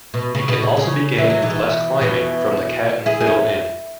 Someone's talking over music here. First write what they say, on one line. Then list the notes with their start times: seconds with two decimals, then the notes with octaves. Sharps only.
It can also be gained with less climbing from the Cat and Fiddle Inn.
0.14 B2
0.35 C#3
0.49 B2
0.63 C#3
0.77 C#3
1.18 E3
1.30 F#3
1.42 B2 E3
2.01 B2 E3
3.06 E4 G#4
3.21 G#4
3.27 C#4